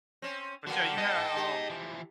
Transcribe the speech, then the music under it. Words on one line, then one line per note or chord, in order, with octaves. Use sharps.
but, yeah, you had, um
C4 C#4
D3 A#3 B3 F#4 G5 A5
B3 D#4 G#4 D#5
G4
E3 F3